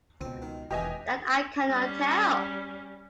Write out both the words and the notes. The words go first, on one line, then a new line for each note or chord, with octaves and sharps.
That I cannot tell.
C#2 B2 C4
D#3
E1 D#3 E3 G4 D#5 G#5
G3 C#4